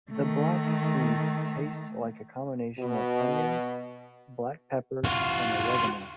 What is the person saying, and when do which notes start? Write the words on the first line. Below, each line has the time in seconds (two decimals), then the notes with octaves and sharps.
The black seeds taste like a combination of onions, black pepper and oregano.
0.12 D#3 A3
2.78 B2
5.04 F4 F#4